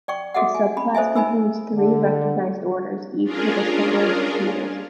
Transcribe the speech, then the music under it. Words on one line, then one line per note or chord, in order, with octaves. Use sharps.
The subclass contains three recognized orders, each with a single genus.
D5 G5 C#6
F#4 G#4 A4 D#5 E5 F#5
G#5
C#4 B5
A4 C5 D#5 E5 G#5
D#4 G#5 B5 E6
D3
C#4 D4 F4 G#4 A#4